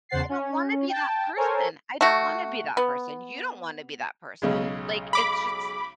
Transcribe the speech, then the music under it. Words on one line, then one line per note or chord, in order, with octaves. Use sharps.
I don't wanna be that person. I don't wanna be that person, you don't wanna be that person, like, it's just
E2 C#3 C5 F#5 A6 C7
C#4
G5 A5
A4 A#4 C5 C#5 G#5
A3 F#4
B3
B1 C#3 G#3
B5 D6